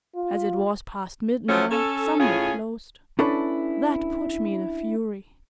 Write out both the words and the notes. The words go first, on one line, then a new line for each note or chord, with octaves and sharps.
As it was past midnight some were closed; that put me in a fury.
F4
F3 F#3 A3 C#4
C#4 A4
A2 C#4 F4 G#4
C#4 D4 E4 A4 B4